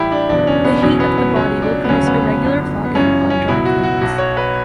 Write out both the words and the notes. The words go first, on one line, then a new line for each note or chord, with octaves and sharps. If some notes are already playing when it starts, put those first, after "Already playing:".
The heat of the body will produce irregular fogging on dry plates.
Already playing: A1 A2 G3 E4 G4
D4
F#1 E2 B2 D4
C#4
B3
D4
F#1 E2 B2 F#3 C#4
B3
B3
C#2 C#3 F#3 C#4
D4
B3
E1 D2 C#3 F#3 C#4
B3
B3
G1 F#2 D3
B3
G1 F#2 C#3 E3 C#4
C#4
C#2 B2 F#3 E4
F#4
F#4
B1 B2 F#3 F#4
C#5
B4